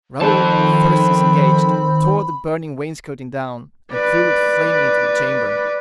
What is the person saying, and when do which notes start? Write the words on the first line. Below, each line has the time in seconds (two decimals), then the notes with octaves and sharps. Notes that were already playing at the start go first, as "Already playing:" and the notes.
Raoul, first disengaged, tore the burning wainscoting down, and threw it flaming into the chamber.
0.21 D#3 F3 C4 A4 A5 B5
3.92 B4 D5